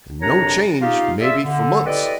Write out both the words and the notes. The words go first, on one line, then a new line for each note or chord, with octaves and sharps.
And no change, maybe, for months.
F2 C3 D4 A#4 C#5 A#5
D#4 F4 G4 F5
F4 G#4 D5 E5
D3
E4 G4 A4 B4 D5 D#5